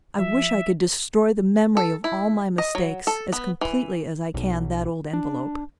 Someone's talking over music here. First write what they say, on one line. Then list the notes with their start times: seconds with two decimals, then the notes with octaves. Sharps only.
"I wish I could destroy the memory of all my mistakes as completely as I can that old envelope."
0.18 F3 E5
1.77 A4
2.04 E4
2.58 D#5
2.75 F#3
3.07 A4
3.32 B3
3.61 E3
4.34 B1
5.13 D4